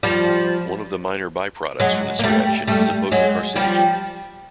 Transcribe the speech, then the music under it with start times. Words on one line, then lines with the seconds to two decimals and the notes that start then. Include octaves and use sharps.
One of the minor by-products from this reaction is a potent carcinogen.
0.03 F3 G3
1.80 F#3 G#3
2.19 A#3
2.24 G3 A3
2.67 G3 A3
3.12 F#3 G#3
3.56 F3 G3